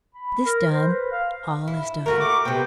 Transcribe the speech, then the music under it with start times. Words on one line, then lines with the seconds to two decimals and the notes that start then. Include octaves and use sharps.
This done, all is done.
0.15 B5
0.46 A#4
0.71 C5
0.90 B4
1.12 F5
1.68 E4
2.06 A3 F#4 A#4
2.20 D6
2.45 C3 B3 G5